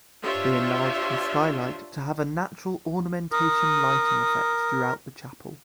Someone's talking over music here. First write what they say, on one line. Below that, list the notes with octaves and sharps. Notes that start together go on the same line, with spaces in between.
They enlarged the skylight to have a natural ornamentation lighting effect throughout the chapel.
D4 F4 G4 C5 C#5 E5
A#4 D#6